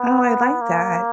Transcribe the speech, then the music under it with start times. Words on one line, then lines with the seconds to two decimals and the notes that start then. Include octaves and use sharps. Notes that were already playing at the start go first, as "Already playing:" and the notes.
Oh, I like that.
Already playing: B3
0.62 A#3